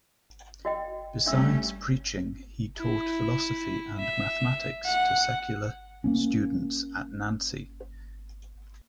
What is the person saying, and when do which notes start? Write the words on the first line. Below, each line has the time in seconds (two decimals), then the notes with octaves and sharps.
Besides preaching, he taught philosophy and mathematics to secular students at Nancy.
0.65 F#4 D#5 G5
1.26 G3 A3 C#4 D4 E5 E6
2.78 E4
3.99 E5
4.86 F#5
6.04 A#3 B3 C#4